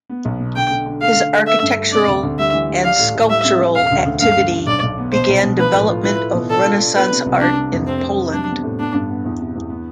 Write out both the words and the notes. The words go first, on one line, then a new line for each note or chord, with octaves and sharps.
His architectural and sculptural activity began development of renaissance art in Poland.
B3
B1
B2
D3 G5
D3
D3
A3 F5
D3
A3
A3 E5
G2
A3
C3 D5
D2
D2
G3 E5
E3
G3
D4 F5
A2
A2
G3 E5
C4
C4
E1 F5
D2
D2
G2 F5
D3
G2
B1 D5
B1
B3
B2 C5
B1
B2
F3 B4
A2
F4
E4 B4
A3
B2
D4 A4
F4
D4
B3 B4
C3
C2
C3 D4
C3
F2
C3 C4
C3
C3
G3 D4
B3
A2
B3 D4
G2
B3
E2
C3
E2
B3